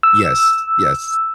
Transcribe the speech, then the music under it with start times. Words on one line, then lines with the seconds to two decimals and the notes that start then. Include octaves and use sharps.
Yes, yes.
0.03 E6